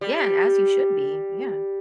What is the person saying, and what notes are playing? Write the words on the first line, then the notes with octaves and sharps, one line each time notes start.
Yeah, and as you should be, yeah.
G3